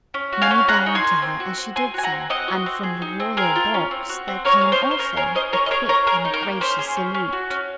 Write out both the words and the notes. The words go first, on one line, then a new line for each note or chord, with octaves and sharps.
Many bowed to her as she did so, and from the royal box there came also a quick and gracious salute.
C#4
F#4
F5 G#5
C#4
G#4 F#5 A#5
D#4
G#5 C6
A#3
C4
F#4
C4
C4 G#5 C6
F#4 G#5
F#5 A#5
C4
C4 D#5 F#5
F#4
C4
G#4
D#4
C4
G#4 A#4
F4
C#4
C4
F#4
C4
C#4 A#4 C#5
G#4 F5
C5 D#5
C#4
C5
C#4 A#4 C#5
G#4 A#4 C#5
C#4 C5 D#5
C#4 A#4 C#5
D#5
G#4 A#4 C#5
C#4 A#4 C#5
G#4 A#4
D#4
A#4
A#3
C#4 C5
G#4
C#4
C#4
F#4
C#4